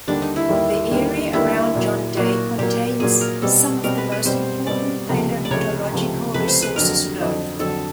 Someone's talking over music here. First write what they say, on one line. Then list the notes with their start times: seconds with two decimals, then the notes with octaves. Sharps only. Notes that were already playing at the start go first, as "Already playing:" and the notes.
The area around John Day contains some of the most important paleontological resources known.
0.08 D#2 D3 G3 A#3 D4
0.22 D#4
0.36 E4
0.49 D#2 D3 G3 A#3
0.91 D#2 D3 G3 A#3
1.33 D#2 D3 G3 A#3 E4
1.75 A#2 F#3 A#3
2.17 A#2 F#3 A#3 F#4
2.58 A#2 F#3 A#3 G4
3.00 A#2 F#3 A#3 G#4
3.21 A#4
3.42 B2 G3 C4 A4
3.84 B2 G3 C4 A#4
3.98 B4
4.12 B4
4.25 B2 G3 C4 C5
4.67 B2 G3 C4 D5
5.09 C#2 C3 F3 A3
5.45 D5
5.51 C#2 C3 F3 A3 C#5
5.93 C#2 C3 F3 A3
6.34 C#2 C3 F3 A3 B4
6.48 C5
6.62 B4
6.76 F2 D3 F#3 A#4
7.18 F2 D3 F#3
7.59 F2 D3 F#3 A4